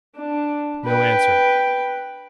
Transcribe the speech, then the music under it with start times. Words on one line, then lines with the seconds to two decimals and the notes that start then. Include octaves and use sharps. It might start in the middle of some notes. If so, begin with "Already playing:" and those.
No answer.
0.16 D4
0.85 B4 G5